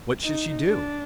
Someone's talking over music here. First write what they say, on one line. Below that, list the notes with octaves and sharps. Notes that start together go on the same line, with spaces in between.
What should she do?
D#4
D4